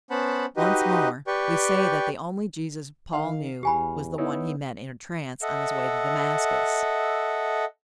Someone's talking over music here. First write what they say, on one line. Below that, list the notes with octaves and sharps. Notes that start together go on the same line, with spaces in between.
Once more; we say that the only Jesus Paul knew was the one he met in a trance on his way to Damascus.
B3 C#4 C5 F#5 A5 B5
D#4 F#4 G4 B4 D#5
G4 B4 D5 G5 C#6
D#3 F5
E2 G4 G#5 B5
B3 D#4 E4 C#5
A4 D#5 E5 F#5